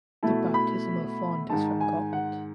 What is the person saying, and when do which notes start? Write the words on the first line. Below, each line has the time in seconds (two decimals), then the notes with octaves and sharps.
The baptismal font is from Gotland.
0.23 B2 A3 E4 A5
0.54 B5
1.50 G#2 D#3 G#3 D#4 A5
1.81 G#5
2.13 F#5